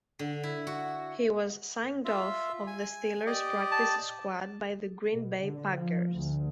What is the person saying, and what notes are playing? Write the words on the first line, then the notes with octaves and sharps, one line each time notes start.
He was signed off of the Steelers' practice squad by the Green Bay Packers.
D3
E4
F#4
F4 E5
G#5
G4 D5 D#5
A5
B2
D3
F3
D2